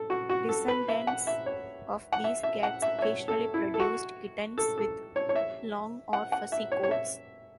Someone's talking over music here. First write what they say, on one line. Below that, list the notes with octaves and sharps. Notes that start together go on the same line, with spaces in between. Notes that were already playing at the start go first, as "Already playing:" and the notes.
Descendants of these cats occasionally produced kittens with long or fuzzy coats.
Already playing: A4
F#4
F#4
A4
B4
E5
F#5
E5
C#5
F#5
E5
E5
F#5
E5
E5
C#5
A4
E4
A4
F#4
A4
A4
C#5
C#5
E5
F#5
F#5
E5
C#5
C#5
E5